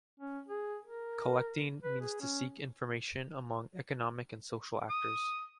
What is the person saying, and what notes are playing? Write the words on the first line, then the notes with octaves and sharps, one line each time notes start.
"Collecting" means to seek information among economic and social actors.
C#4
G#4
A#4
B4
G#4
C#4
D#6